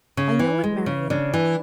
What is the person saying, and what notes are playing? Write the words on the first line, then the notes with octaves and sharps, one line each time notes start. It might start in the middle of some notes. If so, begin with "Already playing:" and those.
"I know it, Marian."
C#3
E3
G#3
C#3
C#3 D4
E3